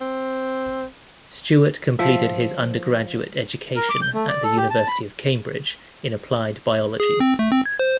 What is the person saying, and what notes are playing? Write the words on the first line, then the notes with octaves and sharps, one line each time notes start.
Stuart completed his undergraduate education at the University of Cambridge in applied biology.
C4
F3 E5
A#4
D6
G6
A3
D5
A4
G4
A5
B5
G#4
C4
A3
C4
G#6
C5